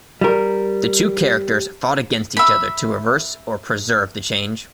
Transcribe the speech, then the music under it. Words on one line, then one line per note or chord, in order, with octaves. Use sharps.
The two characters fought against each other to reverse or preserve the change.
G3 A#4
E5 B5